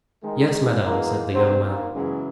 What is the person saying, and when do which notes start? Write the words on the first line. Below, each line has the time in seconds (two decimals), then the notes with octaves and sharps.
"Yes, madame," said the young man.
0.23 D#3 G#3
0.83 B2 E3 G#3 A#3
1.34 G#2 C3 F#3 C5
1.64 A#2 D#3
1.94 E2 C#3 E3 F#3 G#3